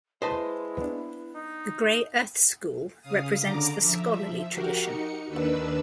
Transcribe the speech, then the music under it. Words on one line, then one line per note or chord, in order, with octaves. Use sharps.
The "Grey Earth" school represents the scholarly tradition.
G#3 E4 B4 C5 D#5 A5 C6
B3 D4
D#4
C#3 F5 D#6
D3 A#5 D6
F3 E5
F#4 G4 A#4
D#4 C#7
D#2 D#3 D4 B4 E6